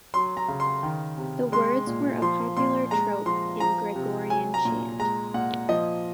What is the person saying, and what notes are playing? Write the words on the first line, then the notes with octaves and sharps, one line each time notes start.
The words were a popular trope in Gregorian chant.
F#3 C6
A#5
C#3
C6
D#3
C3
G#3 C6
A#2
F3 C6
A#2 C6
G#3 A#5
F3 C6
F3 A#5
C3
F#3 G#5
A#5
A#2
G#3 A#5
A#2 F#5
F3 D#5